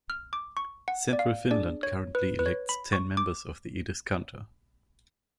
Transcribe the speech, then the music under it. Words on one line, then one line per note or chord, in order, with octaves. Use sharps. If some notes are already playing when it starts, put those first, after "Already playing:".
Central Finland currently elects ten members of the "Eduskunta".
F6
D6
C#6
F#5
D5
F5
D4 G#4 D5
C#5
B4
B4
C#5
B5
C#6
D6